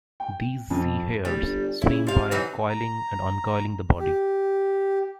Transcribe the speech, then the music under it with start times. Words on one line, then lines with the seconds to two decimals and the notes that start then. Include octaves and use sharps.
These sea hares swim by coiling and uncoiling the body.
0.20 G5
0.70 F2
1.25 D1 G3
1.41 G1
1.82 C#3 E4
2.07 C3 F3 F5
2.31 E3 F#3 D#4
2.69 A#5
3.99 G4